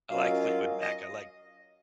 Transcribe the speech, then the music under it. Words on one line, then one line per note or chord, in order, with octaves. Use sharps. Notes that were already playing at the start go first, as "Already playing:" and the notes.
I like Fleetwood Mac, I like
F#3 C#4 F4 A#4 D#5 F5
D#5